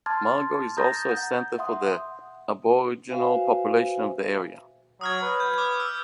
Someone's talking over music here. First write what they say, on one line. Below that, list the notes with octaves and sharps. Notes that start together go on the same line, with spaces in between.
Mogo is also a centre for the Aboriginal population of the area.
A5 C6 D6 F6 G#6 A6
A#5 D#6 G6 A6 A#6
F#5 G6
E5 F#5 C6 D#6
F#4 B4 C5 E5 F5 G#5
F#3 D#6 F6 G#6
B4
G6
D6 F6
E6